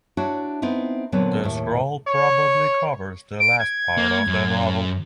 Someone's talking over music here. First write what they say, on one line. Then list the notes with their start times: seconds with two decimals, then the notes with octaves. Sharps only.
The scroll probably covers the last part of the novel.
0.17 D4 E4 F#4 C#5
0.62 B3 C4 D#4 E4
1.12 A#2 D3 F#3 B3 C4
1.44 D#2 A2
2.07 C#5
3.40 D7
3.59 G#6
3.98 A#3
4.27 F#2